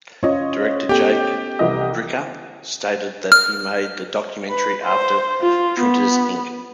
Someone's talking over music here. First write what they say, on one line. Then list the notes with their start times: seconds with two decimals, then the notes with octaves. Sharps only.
Director Jacob Bricca stated that he made the documentary after "Printers Inc".
0.23 C#4 F4 C#5 D#5
0.89 B3 G4 A4 G5
1.59 C2 E3 D#5
3.32 F6
4.50 B4
4.85 C5
5.41 F4
5.80 B3